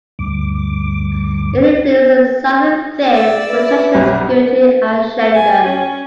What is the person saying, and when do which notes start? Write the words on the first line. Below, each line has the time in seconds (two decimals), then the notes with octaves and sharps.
It includes a southern thin projection skirting Ashendon.
0.19 D2 G2 D6
3.09 D5 E6
3.48 B4 E5
3.94 B1 G2 G#4
5.34 G#5
5.63 C#4